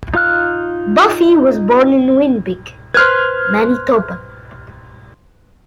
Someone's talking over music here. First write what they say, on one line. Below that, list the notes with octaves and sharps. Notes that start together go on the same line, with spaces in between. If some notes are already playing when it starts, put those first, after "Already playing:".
Buffie was born in Winnipeg, Manitoba.
D#4 F4 F5 F6 F#6
B4 C5 F6 G#6